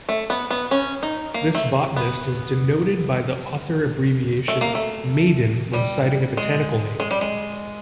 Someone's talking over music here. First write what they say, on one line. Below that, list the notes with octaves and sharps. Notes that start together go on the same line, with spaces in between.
This botanist is denoted by the author abbreviation Maiden when citing a botanical name.
A3
B3
B3
C#4
D#4
A#3
A3
B3
A3
A#3
A3
G3
G#3
G#3
G3
G#3